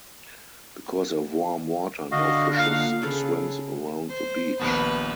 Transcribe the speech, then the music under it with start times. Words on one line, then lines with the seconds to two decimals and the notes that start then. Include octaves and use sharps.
Because of warm water no fishes swims around the beach.
2.12 D3 F#4 D#5 F5
2.57 A#3 F4 F5 F#5
3.02 C#3 G#4 A4 B4
4.09 C5
4.60 A#1 D#2 B3 B4